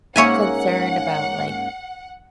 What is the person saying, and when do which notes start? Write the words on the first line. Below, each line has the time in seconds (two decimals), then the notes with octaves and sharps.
concerned about, like,
0.16 G#2 A#3 C#4 C#5 E5 F#5 G#5